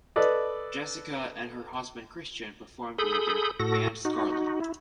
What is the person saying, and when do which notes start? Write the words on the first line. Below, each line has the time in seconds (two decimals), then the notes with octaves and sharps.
Jessicka and her husband Christian performed with their band Scarling.
0.16 A4 B4 D5 D#5
2.98 G#4 A4 B5 D#6 G6
3.60 A2 F#4 A4 A#6
4.05 D#4 F#4
4.60 E4